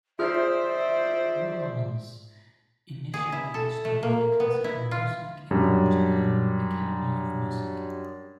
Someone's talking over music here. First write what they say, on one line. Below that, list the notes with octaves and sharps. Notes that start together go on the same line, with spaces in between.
Vloeimans initially studied classical music at the Rotterdam Academy of Music.
F4 G#4 C5 D5 E5 F6
G#4
E4
A4
A3
A#3
B3
E4
F4
F#2 G3 D4